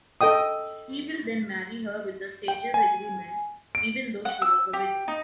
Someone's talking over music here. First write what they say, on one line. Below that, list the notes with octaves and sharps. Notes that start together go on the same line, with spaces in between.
He will then marry her with the Sages’ agreement, even though she was a widow.
A4 D#5 G5 D#6
G5
G#5
D7
F#5
E6
G4
D#4